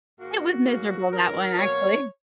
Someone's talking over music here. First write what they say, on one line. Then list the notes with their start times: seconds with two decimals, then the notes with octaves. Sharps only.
It was miserable that one, actually.
0.20 G#2 D#3 A#3 F#4
0.66 G#2 F#3 A#3
1.12 F#2 D#3 F#3 A#4
1.58 B2 F#3 A#3 C#5